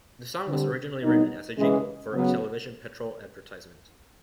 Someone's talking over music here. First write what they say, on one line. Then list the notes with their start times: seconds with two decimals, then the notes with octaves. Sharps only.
The song was originally written as a jingle for a television petrol advertisement.
0.48 D3 G3 C4
1.03 C2 B2 F#3 B3 D#4
1.58 C#3 E3 G#3
2.13 C#3 F#3 B3